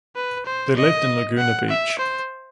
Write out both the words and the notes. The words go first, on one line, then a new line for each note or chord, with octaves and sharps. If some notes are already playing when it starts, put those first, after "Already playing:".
They lived in Laguna Beach.
B4
C5
D#5
F#5
E5
C5